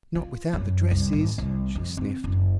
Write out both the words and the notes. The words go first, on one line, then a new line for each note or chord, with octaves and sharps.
"Not without the dresses," she sniffed.
F4
F#2
C2
G#1
C2
F2
C4
F#1